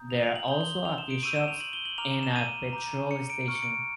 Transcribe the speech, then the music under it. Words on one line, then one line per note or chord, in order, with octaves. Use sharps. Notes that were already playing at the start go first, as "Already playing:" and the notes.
There are also a few shops and a petrol station.
Already playing: A#5 D#6 G6
F7
F7
F#7
C6 D#6 G6 G7
G7
F7
E7
D7
C#6 E6 G6 D#7
E7
F7
F#7
G7
F#7
A#5 D6 F6 F7
E7
E7
D#7
A#5 D6 G6
C#7
D7
C#6 F6 D7
C#7
D7